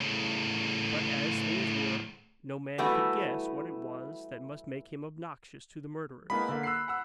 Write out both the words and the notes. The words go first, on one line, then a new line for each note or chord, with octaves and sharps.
But, as things were, no man could guess what it was that must make him obnoxious to the murderers.
A2 C#3
E3 G3 A3 B3 E4 F#4
G#3 A#3 B3 B5
D3 A#3
E6 F#6 C7
F#5 E6